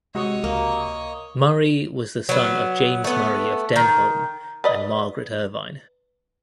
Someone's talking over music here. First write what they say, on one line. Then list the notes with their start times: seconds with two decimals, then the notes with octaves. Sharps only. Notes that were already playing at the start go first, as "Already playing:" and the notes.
Murray was the son of James Murray of Denholm and Margaret Irvine.
0.15 C3 G#3 F#4 C#5 D#5 D#6
0.44 C#2 A#3
2.29 F#3 B3
3.04 A3 B3
3.76 D#3
4.64 B4 D5 D#5